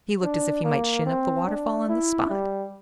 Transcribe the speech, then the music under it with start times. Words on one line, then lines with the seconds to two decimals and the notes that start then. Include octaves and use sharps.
He looked as if he might shin up the waterfall on the spot.
0.23 D4
0.65 A#3
1.06 C4
1.47 D4
1.89 E4
2.30 G3